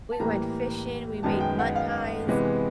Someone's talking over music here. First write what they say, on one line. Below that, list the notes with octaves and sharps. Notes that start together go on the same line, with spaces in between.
we went fishing, we made mud pies,
A5
A2 E3 G3 A#3 A#5
F#2 D#3 G#3 B3 A5
G5
F#5
F5
C3 E3 G#3 B3